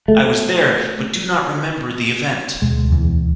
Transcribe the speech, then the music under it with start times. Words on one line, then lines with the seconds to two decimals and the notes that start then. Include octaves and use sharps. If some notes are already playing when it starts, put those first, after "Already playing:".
I was there but do not remember the event.
0.08 A3
2.62 D2 B2 G#3
2.89 E2 E3